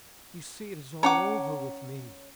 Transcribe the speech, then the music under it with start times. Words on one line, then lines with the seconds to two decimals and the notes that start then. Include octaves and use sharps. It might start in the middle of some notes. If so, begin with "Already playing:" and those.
You see it is all over with me.
1.03 C#4 C#5 F#5 A5 A#5 D6